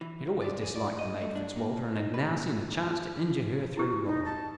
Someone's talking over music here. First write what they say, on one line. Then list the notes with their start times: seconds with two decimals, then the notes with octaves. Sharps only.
She had always disliked the maid Fitzwalter; and had now seen a chance to injure her through Robin.
0.01 E3
0.27 F#2
0.42 D5
0.63 G#4
0.75 D5
0.99 D#5
1.21 A3
1.35 D4
1.56 A#3
1.77 A#2
1.96 D#4
2.14 B4
3.77 E4 G4
4.05 D#4
4.25 A5